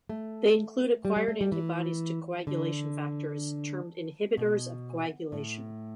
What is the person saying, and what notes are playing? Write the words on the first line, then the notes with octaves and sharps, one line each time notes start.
They include acquired antibodies to coagulation factors, termed inhibitors of coagulation.
A3
G3
G3
A3
G3
E3
D3
B2
A2